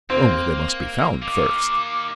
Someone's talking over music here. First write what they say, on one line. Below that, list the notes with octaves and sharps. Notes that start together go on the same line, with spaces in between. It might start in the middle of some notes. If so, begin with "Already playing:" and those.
Only they must be found first.
A#3 C4
A#3 D#4 D6